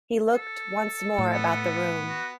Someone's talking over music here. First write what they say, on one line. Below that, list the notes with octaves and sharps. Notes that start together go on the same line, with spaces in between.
He looked once more about the room.
A4
A2
B3
F#4